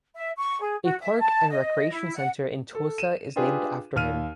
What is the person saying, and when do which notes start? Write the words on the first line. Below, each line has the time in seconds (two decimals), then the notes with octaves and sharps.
A park and recreation center in Tulsa is named after him.
0.15 E5
0.38 C#6
0.61 G#4
0.82 F#4
1.00 E5
1.21 A5
1.49 D#5
1.91 E4
2.14 F#5
2.75 A4
2.98 D#7 E7
3.36 D4 F4 G4 G#4 B4
3.96 D#2 F6 D#7